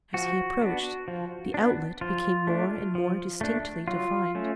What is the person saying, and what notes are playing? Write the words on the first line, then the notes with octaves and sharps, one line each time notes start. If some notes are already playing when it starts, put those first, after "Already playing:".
As he approached, the outlet became more and more distinctly defined.
F3 F#4
B3 D4
F3
B3 D4
F3 F4
A3 D4
F3
A3 D4
F#3 F4
A3 C#4